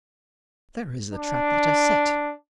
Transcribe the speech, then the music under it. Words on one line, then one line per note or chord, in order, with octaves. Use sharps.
There is the trap that I set!
D4